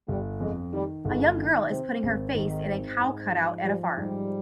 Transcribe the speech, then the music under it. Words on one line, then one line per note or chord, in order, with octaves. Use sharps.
A young girl is putting her face in a cow cutout at a farm.
G1 G3
F2 G#3
D#3 G3
G1 G#2
D#3
C3 C4
G#1 C#3
G#2 D#3
C4
G#2
F3
F3 G3
G#2 G3